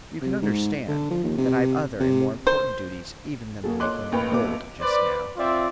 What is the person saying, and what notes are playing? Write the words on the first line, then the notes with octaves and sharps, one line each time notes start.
You can understand that I have other and more important duties even than the making of gold, just now.
C3
G#2
D3
F3
D#2
C3
C3
C5
A#3 F#4 G#4 A4
C#5 D#5 C6 D6 F#6
A1 A#3 B4 F5 G5
A1 B2 A#3 C#4 E5 D6
B4 C5 D5
C4 F4 D5 E5